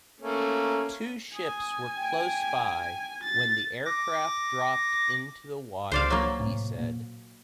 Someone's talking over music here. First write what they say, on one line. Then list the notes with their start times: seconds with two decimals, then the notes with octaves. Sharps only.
Two ships were close by when the aircraft dropped into the water, he said.
0.20 A3 A#3 C#4
1.35 G#5 D#6
1.96 G5
3.23 A6
3.85 D6 A#6
5.92 C#2 C5 D5 F5
6.11 F#3 A#3
6.40 A2 C3
6.78 A#2